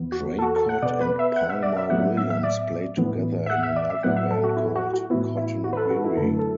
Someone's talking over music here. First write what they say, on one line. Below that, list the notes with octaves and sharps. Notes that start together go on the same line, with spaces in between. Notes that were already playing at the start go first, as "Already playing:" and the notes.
Draycott and Palmer-Williams played together in another band called Cotton Weary.
Already playing: E2 E3 B3
F#4
A4
F#4
A4
F#5
B2 B3 D5
B4
E5
F#5
E5
D5
E5
A2 F#3 B3 F#5
E5
E5
D5
A2 E3 B3
E5
F#5
E5
D5
E5
A2 F#3 B3 F#5
E5
A4
F#4
E4
F#4
F#4
A2 E3 B3 E4
E4
F#4
B4
A4
F#4
E4
F#2 D3 A3 A4
A4